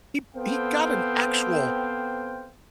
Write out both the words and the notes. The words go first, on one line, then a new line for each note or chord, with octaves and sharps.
he he got an actual
B3 C4 A4 C5 F5 G5